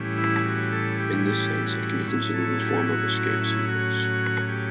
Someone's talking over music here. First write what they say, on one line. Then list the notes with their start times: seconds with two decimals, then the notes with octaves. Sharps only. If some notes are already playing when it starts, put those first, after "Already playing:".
In this sense, it can be considered a form of escape sequence.
Already playing: A2 E3 G3 C#4
0.18 E4
0.45 F#4
0.72 A4
1.00 G4
1.26 G4
1.66 F#4
2.07 A2 F#3 C#4 E4
2.34 A4
2.61 G4
2.69 A4
2.76 G4
2.88 F#4
3.14 F#4
3.41 E4
3.68 F#4
4.49 G4